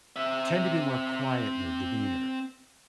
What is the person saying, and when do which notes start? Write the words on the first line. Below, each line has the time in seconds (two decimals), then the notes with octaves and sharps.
tend to be more quiet in their demeanor,
0.16 C4 E5